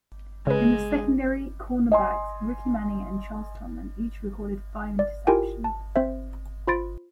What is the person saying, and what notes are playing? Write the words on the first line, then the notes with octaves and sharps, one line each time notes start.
In the secondary, cornerbacks Ricky Manning and Charles Tillman each recorded five interceptions.
C#3 G#3 B4
D#5 G#5 C6
D5
E4 F4 G4 A#4 G5 G#5
A5
C4 C5 E5
F4 C5 B5 C6 A6 D7